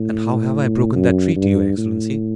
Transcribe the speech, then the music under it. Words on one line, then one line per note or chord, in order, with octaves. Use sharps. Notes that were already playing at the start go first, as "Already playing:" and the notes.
"And how have I broken that treaty, your excellency?"
Already playing: A2
F#2
G2
A2